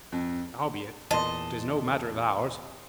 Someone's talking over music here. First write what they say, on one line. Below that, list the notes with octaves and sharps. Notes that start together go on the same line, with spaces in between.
Howbeit, 'tis no matter of ours.
F2
E2 A#2 A#3 D#5 A5 C6